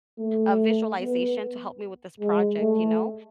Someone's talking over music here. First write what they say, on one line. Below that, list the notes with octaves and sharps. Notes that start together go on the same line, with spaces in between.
a visualization to help me with this project, you know,
A3
B3
G#3
A3